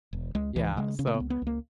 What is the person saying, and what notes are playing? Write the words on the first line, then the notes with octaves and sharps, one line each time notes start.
Yeah. So,
E1
C#2 G#3
C#2 E3
C#3 G#3
C#3 C#4
A#3
B3
C#2
B3
C#2 A#3